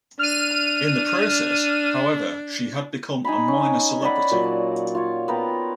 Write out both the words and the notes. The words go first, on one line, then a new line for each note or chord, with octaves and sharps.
In the process, however, she had become a minor celebrity.
D4 F6 D#7
D#4 G#5 A#5 B5
C#4
C#5 D5 F#5 B5
A#2 F#3
F4 C#5
B3 A#4 G5